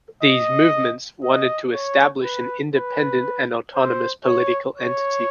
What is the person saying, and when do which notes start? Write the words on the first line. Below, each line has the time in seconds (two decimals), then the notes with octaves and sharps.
These movements wanted to establish an independent and autonomous political entity.
0.23 D#5
1.24 D#5
1.73 C#5
2.23 B4
2.75 B4
3.75 C5
4.25 C#5
4.76 C#5